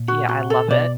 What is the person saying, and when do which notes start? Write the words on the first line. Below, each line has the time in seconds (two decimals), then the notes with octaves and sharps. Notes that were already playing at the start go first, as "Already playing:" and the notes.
Yeah, I love it.
Already playing: A#2
0.08 F#4
0.29 F#4
0.50 A4
0.71 B2 D5